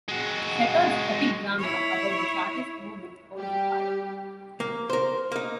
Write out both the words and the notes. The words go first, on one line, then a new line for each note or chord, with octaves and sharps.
Shepherd's epic drama about the Chartist movement, Holding Fire!
G#3 F#4
E4 C#5
G3 G4
A#3
A#4 C5
A#3 D#4